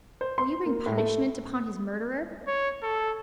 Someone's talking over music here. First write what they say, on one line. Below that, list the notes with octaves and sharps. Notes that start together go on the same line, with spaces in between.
Will you bring punishment upon his murderer?
C5
C6
A#3
A2
A3
C#5
A4